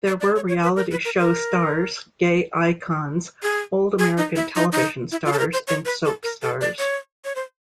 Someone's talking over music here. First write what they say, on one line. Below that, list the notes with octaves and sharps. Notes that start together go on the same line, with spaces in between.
There were reality show stars, gay icons, old American television stars, and soap stars.
D5
D5
C#5
C#5
B4
A#4
B4
A#4
A#4
G#4
G#4
D#4
E4
D#4
D#4
E4
F4
A4
A#4
C5
C#5
B4
A4
A#4
A4
D5
C#5
C#5
C5